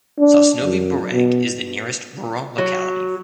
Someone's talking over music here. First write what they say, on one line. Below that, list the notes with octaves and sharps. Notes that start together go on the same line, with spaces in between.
Sosnovy Bereg is the nearest rural locality.
D4
F#2
B2
F#3